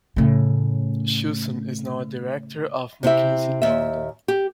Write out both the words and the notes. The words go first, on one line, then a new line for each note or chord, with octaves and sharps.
Shilson is now a director of McKinsey in London.
A2 C#3
C3 C4 E4 E5
D#2 E5
G4